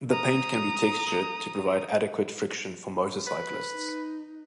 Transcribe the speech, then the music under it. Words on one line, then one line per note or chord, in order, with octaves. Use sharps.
The paint can be textured to provide adequate friction for motorcyclists.
A#5 D#6
B4
D#4